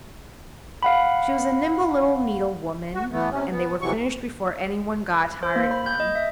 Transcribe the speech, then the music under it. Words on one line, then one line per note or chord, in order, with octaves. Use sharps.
She was a nimble little needlewoman, and they were finished before anyone got tired of them.
F5 F#5 B5
F#4
E3 A3 B3
C3 C#4
B3
F2 C3 E3 F#3 C#6
C5
A#3
B5
G6
D#5
E5